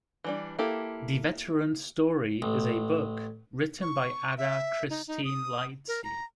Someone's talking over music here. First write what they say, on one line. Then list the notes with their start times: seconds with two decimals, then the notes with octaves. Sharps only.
"The Veteran's Story" is a book written by Ada Christine Lightsey.
0.24 E3 G3 D4
0.59 A#3 E4 G4 A4
2.42 A1
3.82 C#6
4.38 E5
4.90 D#4
5.07 D#4
5.25 D#6
5.88 A#4
6.04 A#5